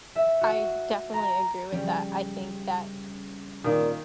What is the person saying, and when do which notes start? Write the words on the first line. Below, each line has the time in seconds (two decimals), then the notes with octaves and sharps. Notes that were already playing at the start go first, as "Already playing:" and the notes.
I definitely agree with that, I think that,
0.15 E5
0.41 F#4
1.14 A#5
1.72 C#3 F3 G3
3.64 A#2 D#3